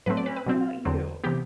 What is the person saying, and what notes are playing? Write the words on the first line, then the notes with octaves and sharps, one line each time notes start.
Yeah, what about you?
A2 F#3 A3 C4 B4
D5
B4
B4
B2 F#3 C4
E2 D3 F#3 C4
C3 E3 B3 G4